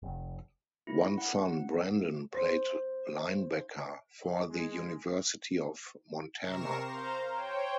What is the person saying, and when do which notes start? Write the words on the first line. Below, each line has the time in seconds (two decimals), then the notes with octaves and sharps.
One son, Brandon, played linebacker for the University of Montana.
0.03 F1
0.87 E4
1.18 F#5
2.34 C5
4.51 G#3
6.40 C3 A#4 C#6 A#6 C7 E7
6.79 C5 F5 A#5
7.30 C5 C#5 G5